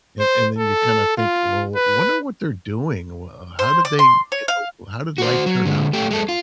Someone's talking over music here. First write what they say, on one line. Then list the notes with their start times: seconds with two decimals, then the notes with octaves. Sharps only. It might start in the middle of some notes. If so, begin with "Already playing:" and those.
And and then you kinda think, "Well, wonder what they're doing, wha how did they," you know, "how did life turn out for them?"
0.20 C5
0.58 A4
1.17 F4
1.75 B4
3.59 C5
3.85 D5
3.99 C6
4.32 C#5
4.48 F5
5.18 F#4 C5
5.46 F#3
5.65 D3 G#3
5.93 A3 G4
6.11 G#3 A4
6.29 F4